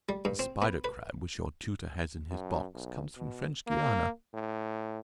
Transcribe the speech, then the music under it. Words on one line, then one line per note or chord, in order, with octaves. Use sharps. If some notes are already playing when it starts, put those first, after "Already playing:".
The spider crab which your tutor has in his box comes from French Guiana.
G3
G2
C4
B3
B4
F#2
B1
B2
A#3
A2